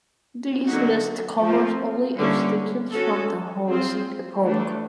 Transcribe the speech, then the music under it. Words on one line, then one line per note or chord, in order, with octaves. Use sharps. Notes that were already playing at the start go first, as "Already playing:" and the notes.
This list covers only extinctions from the Holocene epoch.
D3 F#3 A#3 D#4 F#4
F3 A3 C4 F4
D3 G3 A#3 C#4 E4
C#4 F#4 A4
C4 F4 G#4 C5
E3 A3 D4